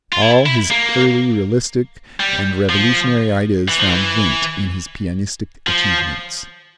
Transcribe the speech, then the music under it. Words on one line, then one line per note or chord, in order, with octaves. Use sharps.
All his early realistic and revolutionary ideas found vent in his pianistic achievements.
F4
E4
E4
A#3
G3
F3
E3
F3
E3
F3